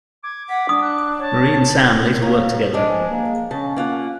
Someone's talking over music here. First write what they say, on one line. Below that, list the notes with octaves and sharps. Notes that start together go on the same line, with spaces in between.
Marie and Sam later worked together.
D6 G#6
F#5 B6
D4 D#6
F#6
C#5 A5
C#3 A#3 A#4
F3 G#3 D4 G#4
A#3
C#3 C#4 A5
A#3 F4 F#5